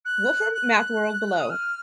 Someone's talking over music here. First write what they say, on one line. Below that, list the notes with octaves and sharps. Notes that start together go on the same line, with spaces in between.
Wolfram MathWorld below.
F#6
F#6
D#6
F6